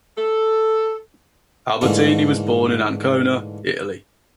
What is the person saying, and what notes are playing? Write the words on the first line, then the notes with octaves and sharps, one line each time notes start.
Albertini was born in Ancona, Italy.
A4
G#2 D3 E3 A3 A#3